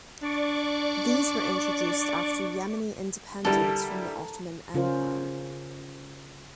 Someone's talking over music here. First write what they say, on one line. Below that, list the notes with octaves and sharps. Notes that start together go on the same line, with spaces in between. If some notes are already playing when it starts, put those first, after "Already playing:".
These were introduced after Yemeni independence from the Ottoman Empire.
D4 D5 C#6 D6
D3 G3 E4 A4 A#4
C#3 C#4 F4 A#4 C5